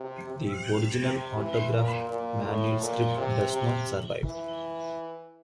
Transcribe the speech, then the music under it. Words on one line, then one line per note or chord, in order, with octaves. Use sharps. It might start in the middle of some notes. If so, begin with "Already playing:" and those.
The original autograph manuscript does not survive.
Already playing: C3
C3
C3
E3
A#2
A#2
A2
A#2
C3
C3
E3